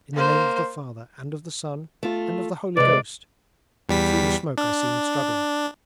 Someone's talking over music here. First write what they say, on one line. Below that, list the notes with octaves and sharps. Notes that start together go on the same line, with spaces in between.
"In the name of the Father and of the Son and of the Holy Ghost"... and through the smoke I see him struggling.
A#3 C5
A3 F4
C3 G#3 B4 D5
E2 G3 B6
D4